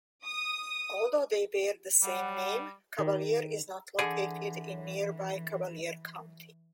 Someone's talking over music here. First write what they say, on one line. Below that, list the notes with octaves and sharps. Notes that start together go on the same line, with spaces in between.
Although they bear the same name, Cavalier is not located in nearby Cavalier County.
D#6
G3 F#5
D#3
D3 E3 G#4